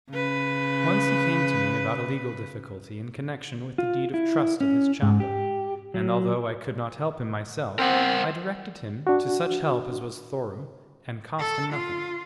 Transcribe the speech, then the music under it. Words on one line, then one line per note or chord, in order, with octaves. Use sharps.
Once he came to me about a legal difficulty in connexion with the deed of trust of his chapel; and although I could not help him myself, I directed him to such help as was thorough and cost him nothing.
C#3 B4
F4
E4
C#4
G#2
G4
F#3
C4 A#4 C5 F#5
D4 F#4
A4
F4